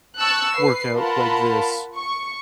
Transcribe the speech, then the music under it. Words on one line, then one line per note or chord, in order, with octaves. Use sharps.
work out like this,
A5 C#6 E6 F#6
B4 C7
F4 A#4 F#5 A5 B5
C#6